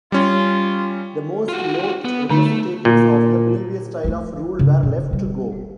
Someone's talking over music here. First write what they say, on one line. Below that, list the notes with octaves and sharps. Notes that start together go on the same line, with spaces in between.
The most loathed representatives of the previous style of rule were left to go.
G3 C#4 F4
F4 F#4
B3
D3 A3 D#4
A#2
F3 A3
C#3
B2 D#4
D3 G3